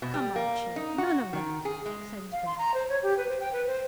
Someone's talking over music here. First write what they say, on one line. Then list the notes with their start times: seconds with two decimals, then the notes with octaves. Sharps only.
"Come, Archie, none of that," said his brother.
0.02 B2
0.14 G3
0.36 A#3
0.76 D#4
0.98 F#4
1.33 D#3
1.65 G#4
1.86 G#3
2.32 F5
2.46 C6
2.58 A#5
2.74 C5
2.89 C#5
3.03 G4
3.17 B4
3.29 C5
3.40 G5
3.53 B4
3.67 C5